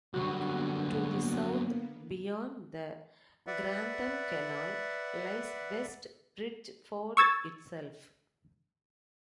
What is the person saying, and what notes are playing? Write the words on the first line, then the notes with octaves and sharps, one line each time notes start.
To the south, beyond the Grantham Canal, lies West Bridgford itself.
F#2 D3 G3 A#3 B3 F#4
B4 D5 E5 F#5
C#6 E6 G#6 A6